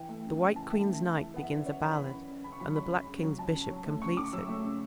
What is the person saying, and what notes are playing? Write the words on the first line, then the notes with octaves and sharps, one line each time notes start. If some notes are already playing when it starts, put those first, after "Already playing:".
The White Queen's Knight begins a ballad and the Black King's Bishop completes it.
Already playing: E3 G5
A3
C#3
C#3
E3 A5
A3 E5
C#3
C#3
E3
B3 F#5
E5
F#2 D5
F#2 C#5
E3 B5
B3
F#2
F#2
C#3 B5
C#6
F#3 B5
C#6
C#2 B5
C#4
C#3
F#3
C#2 A5
C#4
F#3
A3
C#3 C#6
C#3 D6
F#3 E6
A3
C#3